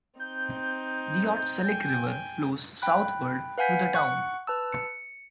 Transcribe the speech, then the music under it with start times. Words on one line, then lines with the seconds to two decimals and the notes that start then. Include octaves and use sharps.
The Otselic River flows southward through the town.
0.19 C4 D#4 G6
1.64 G5 G#5
2.82 G5 B5 F#6
3.58 B4 F5 F#5 G#5 G6 B6
3.94 F#5 C#6 F#6
4.47 B4 A5 E6
4.73 C#7